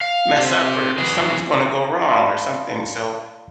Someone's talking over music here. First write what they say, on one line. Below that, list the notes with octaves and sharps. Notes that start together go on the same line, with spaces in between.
mess up or something's gonna go wrong or something, so
F5
C4 G4
E3 F#3 G#4
D5 F5 A5 B5 C6